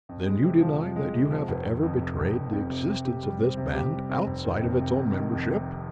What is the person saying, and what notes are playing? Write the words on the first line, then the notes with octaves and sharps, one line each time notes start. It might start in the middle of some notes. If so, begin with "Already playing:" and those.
"Then, you deny that you have ever betrayed the existence of this band, outside of its own membership?"
F2
G#3
C3
F3
F2
G#3
C3
F3
F1
F1
F2
C3
F1
F1
F2
C3
C3
G4
G3
C4
C3
G4
G3
C4
F1
D#3
F2
C3
F1
D#3
F2
C3